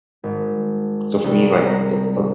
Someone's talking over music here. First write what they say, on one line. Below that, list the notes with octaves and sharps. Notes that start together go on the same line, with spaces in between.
So for me, like, yeah, uh
G#1
C2
A#5